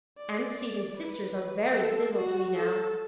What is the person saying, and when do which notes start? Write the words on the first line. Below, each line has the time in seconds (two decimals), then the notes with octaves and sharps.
And Stephen's sisters are very civil to me now.
0.18 D5
0.97 B4
1.76 A4
2.17 F#4
2.57 A4